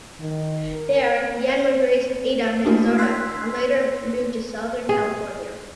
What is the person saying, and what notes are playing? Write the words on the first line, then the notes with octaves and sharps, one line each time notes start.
There, Yenn was raised in Ada, Minnesota, and later moved to Southern California.
D#3
A#4
A3 A#3 D4 E4 F#4 A#4
C6 E6 F#6 G#6 B6 C7
G#4